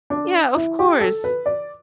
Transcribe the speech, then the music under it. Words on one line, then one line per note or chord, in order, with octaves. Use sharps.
Yeah, of course,
D4
E4
G4
A4
B4
D5